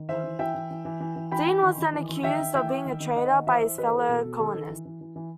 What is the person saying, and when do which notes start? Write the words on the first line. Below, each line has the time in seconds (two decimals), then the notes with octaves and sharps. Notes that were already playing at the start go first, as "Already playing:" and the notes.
Deane was then accused of being a traitor by his fellow colonists.
Already playing: D#3
0.09 E3 C5 E5
0.24 E3
0.39 E3 E5 G5
0.55 E3
0.71 E3
0.85 E3
1.00 E3
1.16 E3
1.31 E3 G5 B5
1.47 E3
1.63 D#3
1.78 D#3
1.93 E3
2.09 E3
2.23 D#3 E5 G5
2.39 D#3
2.54 E3 E5 G5
2.71 E3
2.85 D#3
3.00 D#3
3.16 D#3 D#5 F#5
3.32 D#3
3.47 E3 C5 E5
3.62 E3
3.78 E3 B4 D#5
3.87 A4 C5
3.93 E3
3.98 A4
4.09 B2 A4
4.24 B2
4.39 D#3 A4
4.54 D#3
4.70 E3
4.85 E3
5.01 E3
5.16 E3